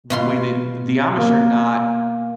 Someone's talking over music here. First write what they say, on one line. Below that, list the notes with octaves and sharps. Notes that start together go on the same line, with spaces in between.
the way they the Amish are not
B2 F4 C6
A#3